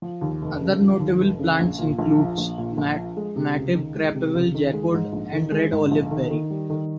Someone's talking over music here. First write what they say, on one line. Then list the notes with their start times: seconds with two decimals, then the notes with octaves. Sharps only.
Other notable plants include mative crabapple, jackwood and red olive berry.
0.02 F3
0.21 D#2
0.42 F1
0.61 C#3
0.80 F3
1.00 D#2
1.20 F1
1.39 C#3
1.59 A#1
1.79 A#2
1.99 A#1
2.18 F3
2.38 A#1
2.58 A#2
2.78 A#1
2.96 F3
3.17 G#3
3.36 C3
3.55 C#2
3.75 D#3
3.95 G#3
4.15 C3
4.35 C#2
4.54 D#3
4.74 G#3
4.94 G#2
5.13 A#1
5.33 D#3
5.52 G#3
5.72 G#2
5.91 A#1
6.11 D#3
6.30 D#3
6.50 G3
6.70 D#3